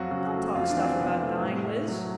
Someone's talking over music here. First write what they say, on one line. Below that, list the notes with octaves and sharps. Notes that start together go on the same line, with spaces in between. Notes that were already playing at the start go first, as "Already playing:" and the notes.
'Don't talk stuff about dying, Liz.'
Already playing: F2 F#3 F4 F#4
C#3 F#4
A3
F2 F4
D4
E3
C4
C3 B3
A3
A2
A3
F#3